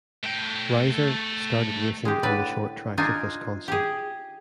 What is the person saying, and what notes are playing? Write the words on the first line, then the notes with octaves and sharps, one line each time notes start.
Reiser started racing on the short tracks of Wisconsin.
A3 G5
G#3 G4
A2 D3 B4 D5
D4 D#4 F4 G#5
G4 G#4